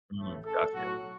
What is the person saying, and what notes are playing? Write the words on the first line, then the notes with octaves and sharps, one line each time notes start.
Mm, got you.
A1 A2 A3
A4
B1 A2 F#3 F#4